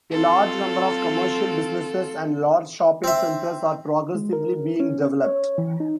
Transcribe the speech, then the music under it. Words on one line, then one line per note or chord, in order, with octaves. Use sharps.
A large number of commercial businesses, and large shopping centers are progressively being developed.
F#3 C4 F4 A4
C4 E5
G#3
A#4
C#4
C#5
E3
D#4